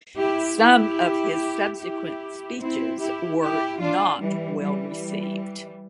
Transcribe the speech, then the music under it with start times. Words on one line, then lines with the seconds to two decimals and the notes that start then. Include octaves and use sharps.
Some of his subsequent speeches were not well received.
0.18 E4 G4
0.58 E4 G4
1.79 E4 G4
2.59 C4 E4
3.00 E4 G4
3.40 E4 G4
3.80 D4 F4
4.21 E3 G3
4.61 E3 G3